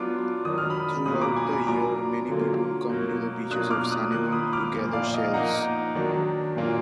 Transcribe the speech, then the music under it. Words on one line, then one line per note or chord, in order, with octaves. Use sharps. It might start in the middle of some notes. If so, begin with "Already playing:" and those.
Throughout the year, many people come to the beaches of Sanibel to gather shells.
Already playing: F#3 B3 D4 F4 D6
D#3 F#3 D4 D#6
F6
B5 D#6
B2 A#3 F4 B5 D#6
A#5 D6
G#5 B5
G#5 B5
F#3 D4 F4 A#5 D6
D3 F#3 A#3 F4
B2 F#3 A#3
B2 F#3 A#3 D4 F4 D#6 F#6
D6 F6
D#6 F#6
D#3 A#3 F4 D#6 F#6
B5 D#6
D6 F6
A#2 F3 A#3
D5 F5
D#5
F3 A#3 D#4 F#5 A#5
D#3 F#3 D4
A#2 F#3 A#3 D4 F4